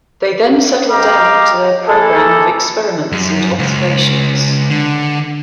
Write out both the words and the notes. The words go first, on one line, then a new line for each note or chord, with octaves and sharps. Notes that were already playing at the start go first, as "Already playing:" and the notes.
They then settled down to their program of experiments and observations.
G4 D#5 F5 G5 A#5 D6
A#3 E4 G#4 A4
F#2
C#2
D3